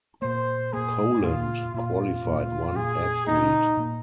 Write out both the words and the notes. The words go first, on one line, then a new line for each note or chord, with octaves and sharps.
Poland qualified one athlete.
A#2 A#3 C5
A#2 A#3 G#4
A#2 A#3 F4
A#2 A#3 F4
A#2 A#3
A#2 A#3 G#4
A#2 A#3 D#4
A#2 A#3